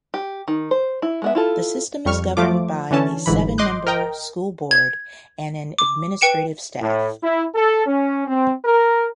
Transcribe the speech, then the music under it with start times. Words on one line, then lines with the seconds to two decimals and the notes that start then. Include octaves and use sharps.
The system is governed by a seven-member school board and an administrative staff.
0.14 G4
0.48 D#3
0.71 C5
1.02 E4
1.22 G#3 B3 E5
1.35 E4 F4 A4
2.06 F2 G3 C#6 F6
2.37 F3 A3 F4 D6
2.91 D3 E3 C#4 A5
3.26 G1 G#2 E3 B5
3.58 D#5 C6 D6 D#6 F#6 G6
3.86 A#4 D#5 G5 A#5
4.71 G#6
5.79 D6
6.21 B4 G5 C#7 E7
6.81 A2
7.23 E4
7.55 A4
7.87 C#4
8.27 C4
8.65 A#4